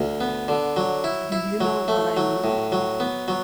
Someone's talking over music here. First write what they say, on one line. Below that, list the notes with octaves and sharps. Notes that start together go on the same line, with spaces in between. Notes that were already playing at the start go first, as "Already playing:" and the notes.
Do you know what I mean?
Already playing: D2
B3
D3
F#3
E4
E4
F#3
A3
F#3
A2
F#3
B3
F#3